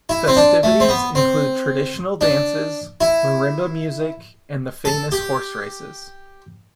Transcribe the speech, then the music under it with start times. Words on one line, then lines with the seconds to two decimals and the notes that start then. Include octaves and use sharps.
Festivities include traditional dances, marimba music and the famous horse races.
0.09 E4
0.27 C4
0.36 D4
0.63 A3
0.80 C4
0.89 B3
1.15 C4
2.21 D4
3.01 E4
4.85 A4
5.12 G4